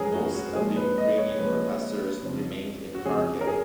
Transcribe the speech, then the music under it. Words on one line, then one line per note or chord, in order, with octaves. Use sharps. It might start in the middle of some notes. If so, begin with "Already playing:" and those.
Most of the Ukrainian professors remained in Kharkiv.
Already playing: F#2 F3 G#3 G#4 A#4 B4 C#5
F#4
F#4
A#2 F3 G#3 G#4
B4
D#5
C#5
A#2 F3 G#3 B4
F2 C#3 F3
F#4
F2 C#3 F3 G#4
A#4
G#4